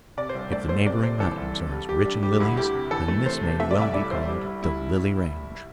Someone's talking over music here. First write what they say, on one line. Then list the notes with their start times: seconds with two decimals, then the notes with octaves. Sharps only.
If the neighboring mountains are as rich in lilies, then this may well be called the Lily Range.
0.17 C3 D5
0.29 C5
0.35 C2
0.52 A3 D5
0.69 A3 C5
0.86 C3 D5
1.03 C3 C5
1.20 E3 A4
1.37 C2
1.55 C3
1.71 G3
1.88 G3 G4
2.05 D4
2.23 G3 G4
2.40 D2 E4
2.57 D2 G4
2.74 C3
2.91 E3 A4
3.08 A3
3.26 C3 C5
3.43 C3
3.60 A3 E5
3.71 D5
3.77 C2 E5
3.93 E4 D5
4.11 C2 C5
4.28 G3
4.45 E4
4.62 G3 E4